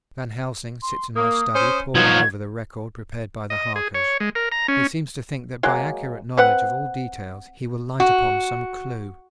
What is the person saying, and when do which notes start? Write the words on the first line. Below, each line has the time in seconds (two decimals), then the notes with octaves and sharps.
Van Helsing sits in my study poring over the record prepared by the Harkers; he seems to think that by accurate knowledge of all details he will light upon some clue.
0.82 C6
1.16 A#3 D#6
1.55 C#4 C5
1.95 F3 F#3 B3 D#4 F#4 G#6
3.50 D#5
3.76 G#4
3.94 C#5
4.20 G#3
4.35 A#4
4.52 A#5
4.68 C#4
5.63 F#3 G#3 A#3
6.37 C4 B4 F#5
8.00 F#4